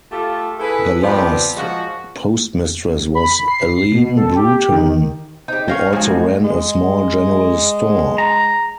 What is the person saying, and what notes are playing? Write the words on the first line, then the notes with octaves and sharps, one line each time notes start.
The last Postmistress was Allene Bruton, who also ran a small general store.
A3 F4 G4 A4
E4 G#4 A4 B4
F3 G3 B3 C4 G4
A#2 F3 G#3 F#4
B5
C7
B2
A4
G4
D#3
D#4 G4 C5
C#4 D#5 F5 C#6
F3 G#3 D#4 F#4 F5 G#5
A3 D#5
G#3
A#5